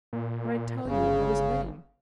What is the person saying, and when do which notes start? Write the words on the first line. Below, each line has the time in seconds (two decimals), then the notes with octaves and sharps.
"But I tell you I was lame."
0.13 A#2
0.85 G1 C#3